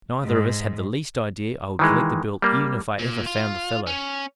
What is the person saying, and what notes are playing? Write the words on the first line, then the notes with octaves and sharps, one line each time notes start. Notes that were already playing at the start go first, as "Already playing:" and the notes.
Neither of us had the least idea I would collect the bill even if I ever found the fellow.'
G#2
D#3 E3 G#3
G3 A#3
A#2
F4
C#4